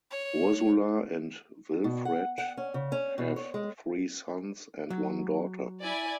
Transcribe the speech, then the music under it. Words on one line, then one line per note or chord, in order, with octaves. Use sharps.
Ursula and Wilfred have three sons and one daughter.
C#5
B2
F#5
F#5
C#4
C#3
C#4
B2
C#5
G#3
F#3
E4 D5 G#5